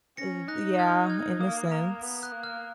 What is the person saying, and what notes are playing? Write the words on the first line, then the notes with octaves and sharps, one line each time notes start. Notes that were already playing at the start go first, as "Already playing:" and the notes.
th yeah, in a sense.
C#4 A#6 C#7
D#4 F#6 A#6
F6 G#6
F6 G#6
A#3 D#6
A#3 A#5
B3
F#6
A#3
F6